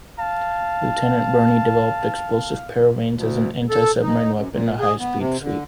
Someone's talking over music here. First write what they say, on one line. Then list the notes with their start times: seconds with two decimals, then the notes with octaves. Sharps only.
Lieutenant Burney developed explosive paravanes as an anti-submarine weapon, a "high speed sweep".
0.19 F5 A5
3.15 D2
3.70 A4
4.02 D#4
4.35 F#2
4.52 A#2
4.80 G#4
4.99 B3
5.18 C3
5.41 D3